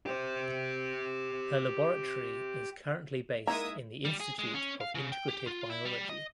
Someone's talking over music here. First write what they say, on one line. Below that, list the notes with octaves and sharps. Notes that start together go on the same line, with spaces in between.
Her laboratory is currently based in the Institute of Integrative Biology.
G4 C5
G#3 A#3 D#4 E4 E5 A#5 D#6
G3
G#4
G#3
C#4
F5
C#3
G5
G4
F4
E4
G3
D#5